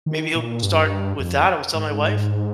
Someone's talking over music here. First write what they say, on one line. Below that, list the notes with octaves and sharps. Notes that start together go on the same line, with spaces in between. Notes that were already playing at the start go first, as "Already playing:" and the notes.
Maybe he'll start with that, I was telling my wife.
D#3
A#2
G2
F2
G#2